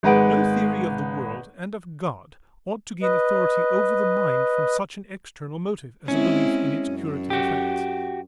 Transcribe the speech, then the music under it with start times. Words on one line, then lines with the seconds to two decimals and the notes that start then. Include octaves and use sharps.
No theory of the world and of God ought to gain authority over the mind from such an external motive as a belief in its curative effects.
0.03 G#1 G#3 B4 F#5 D7
3.03 B4 D#5
6.08 G#3 C4 C#4 E4
6.87 F#2
7.30 F#4 G4